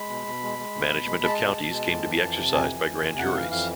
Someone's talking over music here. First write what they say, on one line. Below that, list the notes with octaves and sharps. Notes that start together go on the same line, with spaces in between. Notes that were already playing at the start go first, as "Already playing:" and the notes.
Management of counties came to be exercised by grand juries.
Already playing: G#3 B5
B2
B2
G#3
G#3
B2
B2
G#3
G#3 A5
B2
B2
G#3
F2
E3
F2
C3
F2 G#5
E3
F2
C3
F2 F#5
E3 F5
F2 F5